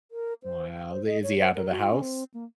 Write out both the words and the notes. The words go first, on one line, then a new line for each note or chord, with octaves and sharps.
Wow, they is he outta house?
A#4
C5
C5
D#5
C#5
C5
A#4
F#4
F4
C#4
C4
A#3